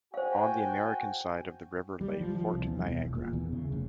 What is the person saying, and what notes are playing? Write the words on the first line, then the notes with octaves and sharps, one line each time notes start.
On the American side of the river lay Fort Niagara.
F#4 C5 F5 G5 G#5
G3
F3
F3
C2
E2
E1
A#2
E2
C#3
F1